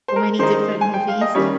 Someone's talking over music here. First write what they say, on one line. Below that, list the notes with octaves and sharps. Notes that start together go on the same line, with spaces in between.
so many different movies,
C5
A#4
D#3 G#3 D#4 C5
G#5
G5
F5
D#5
D#3 G3 C#4 C#5